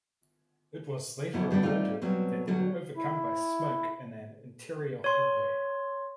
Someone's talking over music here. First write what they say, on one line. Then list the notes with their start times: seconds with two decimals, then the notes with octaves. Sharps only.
It was later reported that they were overcome by smoke in an interior hallway.
1.33 F2 B2 F#3 E4
1.51 D3 G3 A3 B3 D4
1.63 G3 A3 C4 D#4 F4
2.02 B2 F#3 G3 C4
2.47 D3 F#3 G3
2.97 E4
5.04 C#5 C6